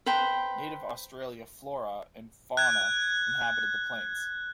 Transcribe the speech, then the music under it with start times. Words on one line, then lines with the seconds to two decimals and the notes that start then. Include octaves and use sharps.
Native Australia flora and fauna inhabited the plains.
0.06 B4 C5 G5 A#5
2.57 F#6 G#6